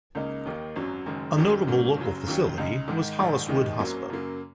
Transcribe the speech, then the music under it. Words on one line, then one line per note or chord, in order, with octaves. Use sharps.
A notable local facility was Holliswood Hospital.
C#2 C#3 A#3 D#4
D#2 D#3 A#3 D#4
G#1 F#2 F#3 C#4
F#1 F#2 D#3 G#3
G#1 F#2 D#3 F#3 C#4
G#2 F#3 A#3 C#4
F#1 F#2 C#3 F#3
D#2 D#3 F#3 C#4
C#2 C#3 G#3 D#4
G#2 D#3 G#3 D#4
A#1 G#2 D#3
D#2 D#3 G#3 D#4
G#1 F#2 F#3 A#3 C#4
F#2 C#3 F#3 A#3